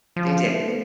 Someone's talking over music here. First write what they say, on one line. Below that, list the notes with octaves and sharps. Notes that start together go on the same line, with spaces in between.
They did.
F3
A3
B3